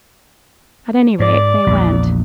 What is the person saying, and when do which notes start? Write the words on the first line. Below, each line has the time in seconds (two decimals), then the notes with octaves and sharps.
At any rate, they went.
1.20 G#2 D5
1.67 A#1 E2